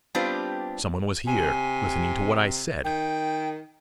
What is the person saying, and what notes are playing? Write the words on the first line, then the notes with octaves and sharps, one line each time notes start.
Some one was here--listening to what I said!
G3 B3 C4 D4 F4 G4
C3 G#5
D#3 G5